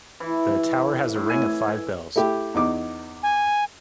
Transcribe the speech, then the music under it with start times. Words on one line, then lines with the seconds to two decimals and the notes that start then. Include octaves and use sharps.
The tower has a ring of five bells.
0.20 E3
1.16 A2
1.30 G#5
2.16 A3 E4 G4
2.54 E2 D#4 D6
3.23 G#5